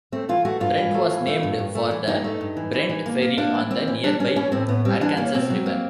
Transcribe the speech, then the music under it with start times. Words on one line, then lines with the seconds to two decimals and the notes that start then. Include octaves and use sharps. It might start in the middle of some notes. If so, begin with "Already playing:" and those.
Brent was named for the Brent Ferry on the nearby Arkansas River.
0.12 A3 C4
0.29 E3 F4
0.45 A3 F#4
0.60 G2 F4
0.78 E3
0.94 A3
1.10 E3
1.27 A3
1.43 G2
1.59 G2
1.75 A3
1.91 E3
2.07 G2 D#4
2.24 A3
2.41 G2
2.57 E3
2.73 E3
2.89 E3
3.06 A#3
3.22 A#3
3.38 A#3 D4
3.54 E3
3.71 A#3 C4
3.88 E3
4.03 G3 D4
4.19 G3 C#4
4.36 E3 C#4
4.52 A2 C4
4.68 A2 B3
4.85 G3 C4
5.01 E3 D4
5.17 A#3 C#4
5.34 B2 C4
5.50 F#3
5.66 A#3